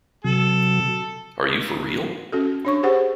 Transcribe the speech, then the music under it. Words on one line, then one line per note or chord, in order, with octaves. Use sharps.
Are You for Real?
C3 F#3 A4
C#4 F#4 A4
D4 C#5 C#6
G4 G#4 C5 F#5